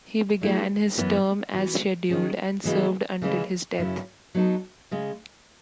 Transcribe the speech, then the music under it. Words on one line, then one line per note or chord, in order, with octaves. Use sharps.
He began his term as scheduled, and served until his death.
F#3 A3 E4 G#4
F#2 E3 B3
E3 B3 F#4
D#3 F#3 C#4 G#4
C#3 E3 G#3 B3 F#4
C#3 E3 G#3 C#4 E4
F#2 C#3 F#3 C#4 E4
F#3 B3 D#4 A4
C#3 G#3